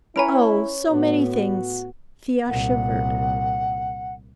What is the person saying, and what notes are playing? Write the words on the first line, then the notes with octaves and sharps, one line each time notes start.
"Oh--so many things!" Thea shivered.
C#4 E4 B4 C#5 G#5 A#5 D7
A2 B3 F#4
C2 A#2 F#5